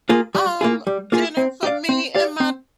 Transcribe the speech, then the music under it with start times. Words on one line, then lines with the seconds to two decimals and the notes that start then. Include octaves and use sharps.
"Um, dinner for me and my
0.09 A#3 F4 G#4
0.35 G3
0.61 A#3 F4 G#4
0.87 G3
1.12 A#3 F4 G#4
1.37 C4
1.63 G4
1.66 D5 F5
1.89 C4
2.15 G4 D5 F5
2.40 C4